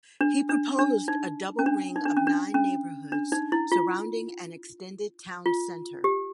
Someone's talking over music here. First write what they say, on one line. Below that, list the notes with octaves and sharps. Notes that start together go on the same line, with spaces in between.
He proposed a double ring of nine neighbourhoods surrounding an extended town centre.
D4
D4
D4
D#4
C#4
D4
D#4
D4
C#4
D4
C#4
D4
D#4
E4
F4
F4
G4